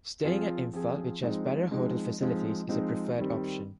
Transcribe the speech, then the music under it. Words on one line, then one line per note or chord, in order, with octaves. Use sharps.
Staying at Imphal which has better hotel facilities is a preferred option.
F3 C4 F4 G#4
F3 C4 F4 G#4
F3 G#3 C4 D#4
F3 G#3 C4 D#4
F3 G#3 C4 D#4
F3 G#3 C4 D#4
D#3 G3 C4